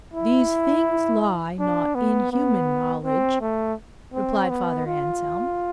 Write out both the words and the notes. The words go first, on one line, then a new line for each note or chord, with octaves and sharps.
"These things lie not in human knowledge," replied Father Anselm.
E4
D4
B3
B3
C4
A3
C4
B3
F4